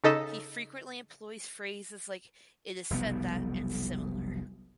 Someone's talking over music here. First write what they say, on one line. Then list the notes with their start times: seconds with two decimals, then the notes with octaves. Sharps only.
He frequently employs phrases like "it is said that" and similar.
0.04 C#3 D#4 A4 D#5 B6 E7
2.90 F1 B1 G3 B3